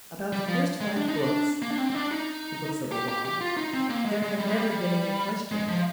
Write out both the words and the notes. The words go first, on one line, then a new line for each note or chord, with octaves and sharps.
About the first five Books--the Books of the Law--there had never been any question.
G3
F3
G#3
D4
D#4
D4
A#3
D4
C4
C4
D4
D#4
G4
G4
G4
F4
D#4
C4
A#3
G#3
G#3
G3
G#3
G3
G3
G#3
F3